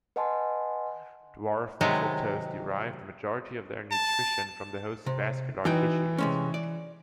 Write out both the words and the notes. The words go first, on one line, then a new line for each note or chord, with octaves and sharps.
Dwarf mistletoes derive the majority of their nutrition from the host's vascular tissues.
B4 D#5 F#5 G#5 A5 C6
C3 D#3 F#3 G#3 B3
A5
C3
E3 D#4 F#4 G5
C3 G#3 C#4
D5